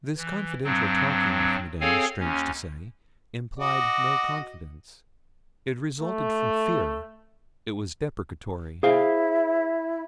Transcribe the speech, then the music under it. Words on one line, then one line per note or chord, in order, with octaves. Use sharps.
This confidential talking with Madame, strange to say, implied no confidence; it resulted from fear--it was deprecatory.
E3
G2 F#3 C4
C4 G#4 A4 C#5 F5 G#5
D#2 C#4
F#4 D#5 D6
A3
E4 G#4 C5 F5